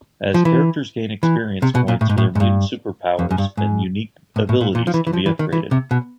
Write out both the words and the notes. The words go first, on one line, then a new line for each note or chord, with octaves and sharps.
As characters gain experience points their mutant superpowers and unique abilities can be upgraded.
F3
E3
E3
C3
B2
A#2
A2
G#2
A2
G#2
G2
F2
F#2
G2
G#2
A2
A2
A#2
A#2
F3
E3
E3
F3
E3
D#3
E3
C3
B2